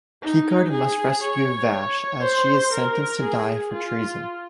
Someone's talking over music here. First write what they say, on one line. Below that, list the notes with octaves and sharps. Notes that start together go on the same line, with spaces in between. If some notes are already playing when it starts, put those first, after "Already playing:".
Picard must rescue Vash as she is sentenced to die for treason.
D#4
G#4
C#5
C#5
C5
A#4
G#4
F4